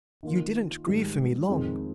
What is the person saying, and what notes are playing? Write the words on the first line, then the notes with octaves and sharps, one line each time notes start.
You didn't grieve for me long!
D#3 A#3 F4
G#2 D#3 G3
F2 D#3 G#3 C4